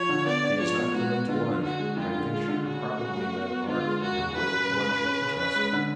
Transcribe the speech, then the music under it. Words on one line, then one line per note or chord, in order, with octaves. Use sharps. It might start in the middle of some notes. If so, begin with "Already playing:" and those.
She has not come in to lunch, and I think she probably met Mark and went to lunch at the castle.
Already playing: F3 C#5
D3
B3 D5
D4
F3 C#5
B3
G#2 F#4
B3
D3 F4
D3
D3 F#4
G#3
F2 F4
D3
G#3 F4
D3
C#3 F#4
A3
C#3
A3
B3
B3
D3 F4
G#3
F#2 F#4
C#3
F#2 B4
F#2
C#3
C#4
C#4
C#3
C#4 B4
G#3
D3